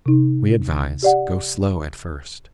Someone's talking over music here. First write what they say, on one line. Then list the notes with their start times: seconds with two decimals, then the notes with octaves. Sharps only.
We advise: Go slow at first.
0.06 C3 D#4
1.03 G4 D5 F#5